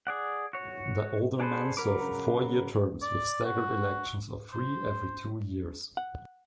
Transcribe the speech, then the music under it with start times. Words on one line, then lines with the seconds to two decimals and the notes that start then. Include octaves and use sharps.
The aldermen serve four-year terms with staggered elections of three every two years.
0.07 G#4 D5 F#5
0.53 F#4 C#5
1.40 D4 G#4 A4 B4 C5
1.77 C#3 F#3 A#4 B4 D6
3.02 D5
3.45 F#4
4.53 C5
5.97 F#5